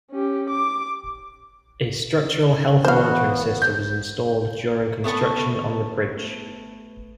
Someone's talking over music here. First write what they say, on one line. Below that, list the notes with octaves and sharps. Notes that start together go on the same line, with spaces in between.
A structural health monitoring system was installed during construction on the bridge.
C#4 G4
D6
E3 B3 F#4 C5 F5
G6
A3 B3 A5 C#6